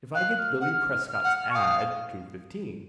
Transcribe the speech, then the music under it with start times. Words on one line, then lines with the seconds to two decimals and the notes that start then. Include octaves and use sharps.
If I get Billy Prescott's ad: two fifteen.
0.14 F5 F#6
0.39 F6
0.61 F#5 F6
1.09 F6
1.24 F#5
1.50 C#6
1.55 F5 D#6